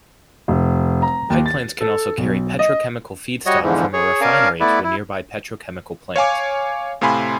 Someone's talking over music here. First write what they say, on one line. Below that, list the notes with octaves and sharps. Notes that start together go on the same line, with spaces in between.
Pipelines can also carry petrochemical feedstock from a refinery to a nearby petrochemical plant.
F1
A#5
D#2
A6
A4
B1
D#5
G3 F#4 C#5 D#5
E2 G#2 D3 E3 F3
G#4 C#5
C#4 A#4 D5 F5 G#5 A5
A3 B3 E4 B4 D5
E4
C#5 F5 G#5 D6
A2 C3 F5 G#5 B5 C6